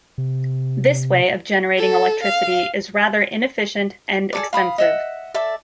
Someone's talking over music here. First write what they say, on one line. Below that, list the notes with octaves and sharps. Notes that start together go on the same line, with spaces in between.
This way of generating electricity is rather inefficient and expensive.
C3
A4
F5
G#4 A4 D5
F5 B5 D#6
D#5 E5 F#5
A4 D5 E5